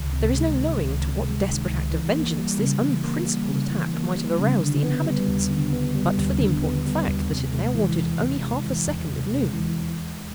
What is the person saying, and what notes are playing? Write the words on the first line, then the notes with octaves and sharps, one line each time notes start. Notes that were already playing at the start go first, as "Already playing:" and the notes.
There is no knowing to what desperate act of vengeance this unprincipled attack might have aroused the inhabitants, but for the important fact that it now wanted only half a second of noon.
Already playing: C#2 D#3
C3
G#3
D#3
C#2
C3
G#3
D#3
C#2
E3
A#3
G3
C#3
E3
A#3
G3
C#3
E3
A#3
G3
C#3
D3
B3
G3
D#2
D3
B3
G3
D#2
D3
B3
G3
D#2
C3
G#3
E3
E2
C3
G#3
E3
E2
C3
G#3
E3